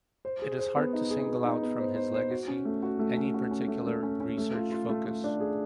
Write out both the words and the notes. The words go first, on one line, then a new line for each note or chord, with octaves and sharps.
It is hard to single out from his legacy any particular research focus.
C5
G#4
C5
B3
D#4
G#4
B3
D#4
B3
C5
C5
C5
F#4
C#4
A3
F#4
A3
C#4
F#4
C#4
A3
A3
C#4
C#4
A3
F4
F4
A3
A3
D4
G#4